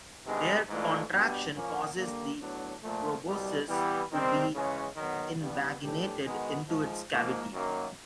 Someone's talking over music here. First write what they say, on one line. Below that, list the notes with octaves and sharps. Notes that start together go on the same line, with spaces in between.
Their contraction causes the proboscis to be invaginated into its cavity.
C3 D#3 G#3 B3 D4
G#2 E3 A3 D4 F4
B2 G3 B3 D4 G4
A#2 F3 A#3 C#4
D3 G3 A#3
A2 F#3 B3 D4
A#2 F3 A3
C2 B2 G3
E3 G3 B3 E4 G4
D#3 G3 C4
C#3 E3 G#3 C#4
D#3 F#3 B3
G2 E3 G3 B3
A2 E3 A3 D4 G4
D#3 G#3 B3 D#4 F#4
G#2 F3 G#3
G#2 F3 A#3
F#2 D#3 F#3 A#3